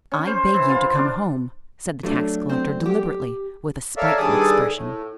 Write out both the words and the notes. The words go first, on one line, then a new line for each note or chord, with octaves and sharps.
"I beg you to come home!" said the tax-collector deliberately, with a spiteful expression.
C#4
C5
E3
F4
D4
F#3 A3 D4
C4
G4
A4 A#4 C#5 D5 E5 F5
G2 D#3 G#4 A4 D5 D#6
A2